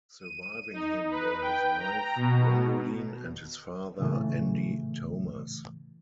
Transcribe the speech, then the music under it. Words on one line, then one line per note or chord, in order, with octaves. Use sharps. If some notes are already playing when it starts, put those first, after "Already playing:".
Surviving him were his wife, Gwendolyn, and his father, Andy Thomas.
D#7
D#4
B4
G5
A#5
B2
A2 C#3 E3 A3